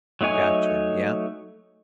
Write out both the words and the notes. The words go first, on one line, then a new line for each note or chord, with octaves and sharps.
Gotcha. Yep.
F#3 A3 D#4 C#5 G#5